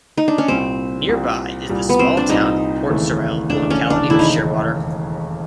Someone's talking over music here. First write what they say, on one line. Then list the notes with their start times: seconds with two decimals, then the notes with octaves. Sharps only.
Nearby is the small town of Port Sorell and locality of Shearwater.
0.17 D#4
0.28 D4
0.38 C#4
0.48 C2 A#2 G3 C4
1.09 C2 A#2 G3
1.69 C2 A#2 G3
1.89 B3
1.99 C4
2.17 D4
2.29 C2 A#2 G3 D#4
2.90 E1 D#2 C#3 E3 A3
3.50 E1 D#2 C#3 E3 A3 D4
3.70 C#4
3.90 D4
4.10 E1 D#2 C#3 E3 A3 E4
4.19 D#4